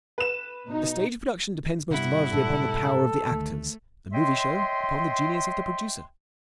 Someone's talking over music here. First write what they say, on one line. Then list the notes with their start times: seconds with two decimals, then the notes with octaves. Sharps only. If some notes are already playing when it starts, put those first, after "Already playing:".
The stage-production depends most largely upon the power of the actors, the movie show upon the genius of the producer.
0.18 B4 E7
0.66 B2 D#4
1.90 G2 C3 G3 B3 E4 F#5
2.32 G#2 B2 G#3 A4
3.31 D2 D3 D#3 A3
4.13 C#5 D#5 E5 G5 C6